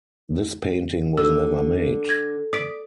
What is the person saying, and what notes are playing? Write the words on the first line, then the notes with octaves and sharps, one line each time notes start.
This painting was never made.
D3 E6
G#6 A#6
D5 D#6 B6 D7